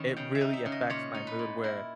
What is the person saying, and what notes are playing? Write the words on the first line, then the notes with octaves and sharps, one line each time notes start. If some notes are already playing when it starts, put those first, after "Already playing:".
it really affects my mood where
Already playing: D#3 C#4 B4
C#3 G5
E5
D#4
E5
C#3
D#5
A#2 C#5
D#4
B4
A#2
E4 A#4